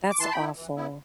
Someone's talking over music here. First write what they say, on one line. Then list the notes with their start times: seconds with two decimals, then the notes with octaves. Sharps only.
That's awful.
0.10 D6
0.19 E3 A5 C6
0.32 G5 B5
0.38 B3 E4
0.57 E3
0.76 B3 E4